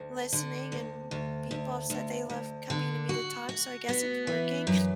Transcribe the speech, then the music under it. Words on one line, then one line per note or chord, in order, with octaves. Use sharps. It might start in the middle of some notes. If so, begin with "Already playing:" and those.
listening, and people have said they love coming to me to talk, so I guess it's working.
Already playing: D2
D3
D2
D2
D2
D2
D2
D3
F#4
F#4
B3
E3
F#2